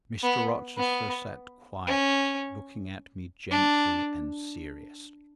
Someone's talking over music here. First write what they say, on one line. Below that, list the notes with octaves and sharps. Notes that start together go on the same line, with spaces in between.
Mr. Rochester sat quiet, looking at me gently and seriously.
B3
B3
C#4
D4